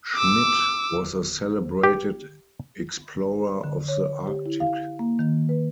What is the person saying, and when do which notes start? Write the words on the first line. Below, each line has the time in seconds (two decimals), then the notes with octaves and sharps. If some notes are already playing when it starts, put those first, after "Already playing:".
Schmidt was a celebrated explorer of the Arctic.
0.16 D6 E6
1.84 G4
3.64 D3
3.88 C#5
4.27 G4
4.46 E4
4.60 F5
4.99 A#3
5.19 D#3
5.49 B4